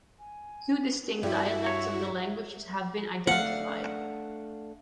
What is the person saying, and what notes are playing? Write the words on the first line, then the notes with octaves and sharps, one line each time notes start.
Two distinct dialects of the languages have been identified.
G#5
G2 E4 F#4 E5
C#5
A3 D4 F5 F#5